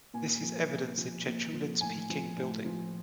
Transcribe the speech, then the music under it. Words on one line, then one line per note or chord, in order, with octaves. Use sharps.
This is evident in Chechulin's "Peking" building.
A#2 G#5
F3
A#2
F3
A#2
F3
A2 G#5
F3
A2
F3